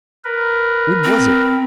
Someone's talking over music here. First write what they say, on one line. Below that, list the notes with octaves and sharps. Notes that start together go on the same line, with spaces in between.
When was it!
A#4 B4
C4